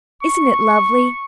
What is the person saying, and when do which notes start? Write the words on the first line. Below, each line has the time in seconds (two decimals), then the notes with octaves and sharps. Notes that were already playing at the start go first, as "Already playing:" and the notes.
Isn't it lovely?
0.23 C#6